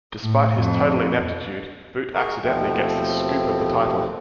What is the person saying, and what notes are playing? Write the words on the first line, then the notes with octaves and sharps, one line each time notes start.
Despite his total ineptitude, Boot accidentally gets the "scoop" of the title.
A2
F2
F#4 G#4 A#4
D#2 B2 F3 A3 C4